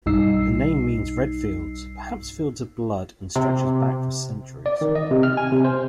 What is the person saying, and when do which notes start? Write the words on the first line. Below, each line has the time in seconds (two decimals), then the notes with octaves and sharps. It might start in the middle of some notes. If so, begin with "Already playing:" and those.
The name means red fields, perhaps fields of blood, and stretches back for centuries.
0.06 B1 G2 D#4 E6 C7
3.36 C3
4.66 D5
4.81 D#3
4.95 D#5
5.11 C3
5.23 F6
5.37 G#5
5.52 C3
5.64 C5